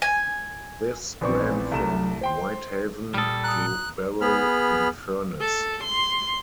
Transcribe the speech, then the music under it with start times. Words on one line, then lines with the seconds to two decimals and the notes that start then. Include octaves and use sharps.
This ran from Whitehaven to Barrow in Furness.
0.02 G#5
1.21 A#1 E3 B3 C4 D5 C#6
1.71 C2 A3 E7
2.21 C5 G5 C6
3.14 A#2 G3 A4 D#6 F6
3.44 A#5 D#6 F#6
4.21 B3 G#4 B5 F6
5.40 A4
5.83 C6